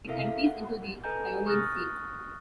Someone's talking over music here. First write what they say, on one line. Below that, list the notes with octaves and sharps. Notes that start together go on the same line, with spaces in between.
It empties into the Ionian Sea.
E4 A4 A#4 E5 F5
F#5
A4 B4 D#5 G#5 A#5 G6
C#6 D#6 F6 F#6 A6 A#6